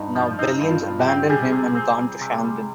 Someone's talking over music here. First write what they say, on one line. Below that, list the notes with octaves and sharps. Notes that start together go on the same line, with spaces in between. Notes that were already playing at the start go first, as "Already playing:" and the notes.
Now, Belion's abandoned him and gone to Shandon.
Already playing: G2 D#4
F3
C4 D#4
G2
F4
G2
G4
C4
G3 G#4
C3
C4
G3
C3
G3